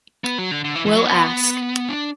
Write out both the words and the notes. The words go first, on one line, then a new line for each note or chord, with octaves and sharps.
We’ll ask.
B3
F#3
D3
D3
E3
E3
F#3
B3
D4